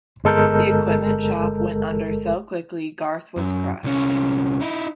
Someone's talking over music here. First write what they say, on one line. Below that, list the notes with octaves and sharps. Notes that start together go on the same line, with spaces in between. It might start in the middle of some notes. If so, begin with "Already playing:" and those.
The Equipment Shoppe went under so quickly Garth was crushed.
G1 G#3 A4 A#4 G6
F#2
C2 C#4
D#4 E4